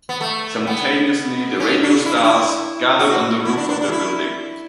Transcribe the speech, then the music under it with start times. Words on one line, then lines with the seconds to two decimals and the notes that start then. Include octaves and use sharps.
Simultaneously the radio stars gathered on the roof of their building.
0.09 B3
0.21 A3
0.67 B3
1.60 C#4
1.83 D4
2.06 E4
2.15 D4
2.23 E4
2.99 F#4
3.45 E4
3.57 D4
3.69 D4
3.81 D4
3.92 E4